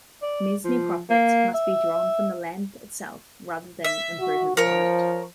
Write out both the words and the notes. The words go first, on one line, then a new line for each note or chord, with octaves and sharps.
Mesne profits must be drawn from the land itself, rather than improvements on it.
D5
F3
A#3
E5
E5
F#4
F3 A#4 C#5